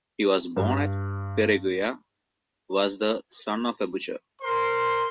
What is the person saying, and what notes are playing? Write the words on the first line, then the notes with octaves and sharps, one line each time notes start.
He was born at Perugia, was the son of a butcher.
G2
A#4 C5 C6